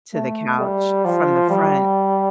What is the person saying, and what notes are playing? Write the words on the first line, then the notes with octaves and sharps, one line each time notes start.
to the couch from the front.
A3
G3
F3
G3